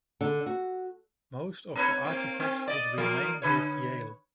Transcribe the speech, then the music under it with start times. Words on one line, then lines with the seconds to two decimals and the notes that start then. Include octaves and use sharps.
Most of the artifacts would remain with Yale.
0.21 D3
0.46 F#4
1.76 C4 B4 C#5
2.05 A#3 C4
2.40 C4
2.68 D5 D#5
2.98 F3 A#3 A#4
3.42 D3 B4 C#5